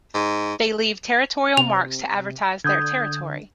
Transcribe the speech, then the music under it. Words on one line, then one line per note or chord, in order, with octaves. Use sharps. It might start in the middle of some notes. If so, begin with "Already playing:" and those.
They leave territorial marks to advertise their territory.
G#2
C3 F7
D3 D#6 G6 G#6